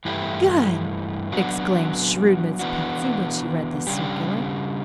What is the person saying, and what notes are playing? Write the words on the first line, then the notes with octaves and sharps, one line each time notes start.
"Good!" exclaimed shrewd Miss Patsy, when she read this circular.
G2 E3 A3 E4 G4
F#3 B3 D4 F#4
E3 B3 D4 F#4
C#3 G3 D4 G4